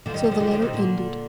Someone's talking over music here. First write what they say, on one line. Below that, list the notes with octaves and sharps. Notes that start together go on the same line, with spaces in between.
So the letter ended.
D3 F3
D#3 G3
D3 F3
D#3 G3
D3 F3
G3
D3 F3
C3 D#3
A#2 D3